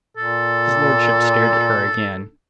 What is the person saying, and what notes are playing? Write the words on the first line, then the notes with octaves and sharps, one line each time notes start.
His lordship stared at her again.
A#2 A4